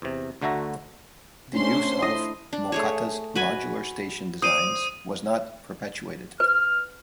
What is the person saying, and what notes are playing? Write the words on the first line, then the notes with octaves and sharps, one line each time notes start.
The use of Mocatta's modular station designs was not perpetuated.
E2 C3
D2 D3 A3 F#4 E5 A#5
C3 A3 C#4 D4 C5 C6
E4 D#5
D4
A3 G#4 C#5
F#4 B4 G#5
C5 D5 D#6 D#7
B4 F6